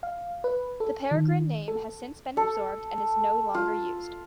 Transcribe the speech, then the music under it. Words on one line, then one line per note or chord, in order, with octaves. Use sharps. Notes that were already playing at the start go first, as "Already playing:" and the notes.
The Peregrine name has since been absorbed and is no longer used.
F5
B4
A4
D#3
A4
A4
F4